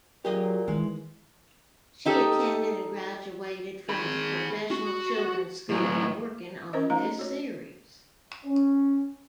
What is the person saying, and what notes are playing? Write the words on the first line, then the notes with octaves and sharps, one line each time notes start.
She attended and graduated from the Professional Children's School while working on this series.
A#2 F#3 G4 G#4 D#5
D#3 E3 G#3
D#4 G4 A4
G#4 B5
F#4
A2 F#3
C#4 A#4 C5 D#5
A3 D#4 D#5 F5 A#5
F#4 C#5
C#4